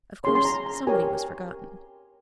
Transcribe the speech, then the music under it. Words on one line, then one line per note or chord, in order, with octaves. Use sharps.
Of course somebody was forgotten.
C#4 G#4 C#5 C6
C6
A#5
A#5
G4 A#4 C#5 G#5